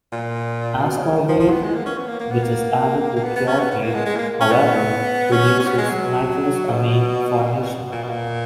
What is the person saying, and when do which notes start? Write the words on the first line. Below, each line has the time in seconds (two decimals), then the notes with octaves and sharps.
Ascorbate, which is added to cured meat, however, reduces nitrosamine formation.
0.12 A#2
0.82 B2
0.99 C#3
1.17 D#3
1.29 F3
1.40 F3
1.51 B3
1.63 G#3
1.74 A#3
1.85 C#4
1.98 B3
2.08 A#3
2.20 A#3
2.31 B3
2.43 A#3
3.16 A#3
3.24 B3
3.36 B3
3.47 C#4
3.59 B3
3.71 B3
3.83 A#3
3.94 G#3
4.06 G#3
4.16 A#3
4.40 C#4
4.52 B3
5.32 C#4
5.60 C#4
5.67 B3
5.78 G#3
5.91 F#3
6.70 B2
7.40 A#2
7.51 B2
7.63 A#2
7.74 B2
7.92 A#2
8.03 B2
8.09 A#2